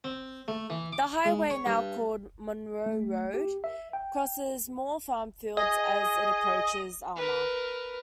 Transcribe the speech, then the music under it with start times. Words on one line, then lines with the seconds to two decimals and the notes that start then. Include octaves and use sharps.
The highway, now called Monroe Road crosses more farm fields as it approaches Alma.
0.04 C4
0.48 A3
0.70 E3
0.93 D6
1.25 G#3
1.50 C#5
1.66 G2
2.86 A3
3.34 G4
3.64 E5
3.93 G5
5.57 G#4 D#5
7.16 A#4 B4